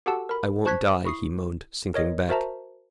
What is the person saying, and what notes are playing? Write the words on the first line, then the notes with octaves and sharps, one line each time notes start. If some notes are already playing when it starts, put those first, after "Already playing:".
"I won't die," he moaned, sinking back.
F#4 G4 A4 F#5 A5 E6
A#4 B5
C5 A5 C#6 F#6 G#6 B6
E4 C#6 D#6 C7
A#4 C#5 D#5
F#4 A#4 C5 E5 A5 A#5